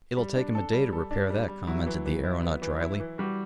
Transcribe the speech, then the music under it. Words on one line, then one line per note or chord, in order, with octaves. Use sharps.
"It'll take him a day to repair that," commented the aeronaut dryly.
G3
D4
A4
G3
A4
D4
G3
G3
F#3 E4
E3
E3
E4
B3
E3
E4
E3
G3 F#4